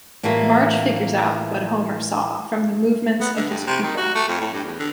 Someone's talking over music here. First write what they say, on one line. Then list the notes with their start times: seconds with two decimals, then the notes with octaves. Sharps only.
Marge figures out what Homer saw from the movements of his pupil.
0.23 A2 E3 G3 A3 A#3 F4
3.21 B3
3.36 D3
3.49 G2
3.67 C3
3.82 D#3
3.97 F#4
4.15 A3
4.28 F2
4.41 A2
4.53 G2
4.64 E2
4.79 D3